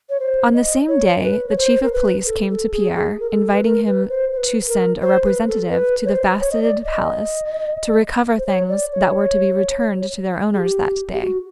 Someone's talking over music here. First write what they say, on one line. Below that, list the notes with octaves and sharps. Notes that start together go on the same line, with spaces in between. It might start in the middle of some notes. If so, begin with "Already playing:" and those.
On the same day the Chief of Police came to Pierre, inviting him to send a representative to the Faceted Palace to recover things that were to be returned to their owners that day.
C#5
C5
D#5
C#5
A#4
B4
C#5
C5
A#4
B4
A4
A4
G#4
G#4
A#4
A4
B4
A#4
B4
C5
C5
B4
A#4
C5
B4
A4
B4
C#5
C5
C#5
D#5
D5
D#5
C5
C#5
D5
C#5
G#4
G4
G4
F#4